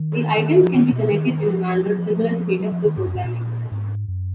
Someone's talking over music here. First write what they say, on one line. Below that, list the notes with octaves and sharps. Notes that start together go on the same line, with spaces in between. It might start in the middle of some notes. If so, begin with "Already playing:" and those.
The items can be connected in a manner similar to dataflow programming.
Already playing: D#3
D#3
F3
D#3
B2
D#3
D#3
F3
F#3
F3
F3
F3
F#3
F3
D#3
G#2
F#2
G#2
A#2
G#2
F#2